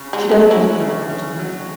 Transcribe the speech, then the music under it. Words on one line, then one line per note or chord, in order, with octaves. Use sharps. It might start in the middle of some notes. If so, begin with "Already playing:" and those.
She dedicated the album to her mother.
Already playing: C#3
G#3
F#3
A3
C#4 E4
C#3
C#3
F#3